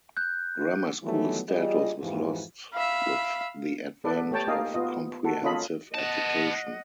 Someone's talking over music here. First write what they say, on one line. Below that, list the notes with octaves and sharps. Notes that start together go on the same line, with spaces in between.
Grammar school status was lost with the advent of comprehensive education.
F#6 G6
D#3 E3 F#3 G3 A3 B3
G3 F4 G#4 D#5
F2 G#2 E3 F3 F4 G4
E5 F5 B5
B3 A4 B4 D5
A3 G4 C#5 G5 A5
A#3 D#4 G4 G#4 D#5 F5
B3 F4 D#5
F#4 A4
A#3 C#4 F4 A4 D#5 B5
B3 D#5 F#5 A5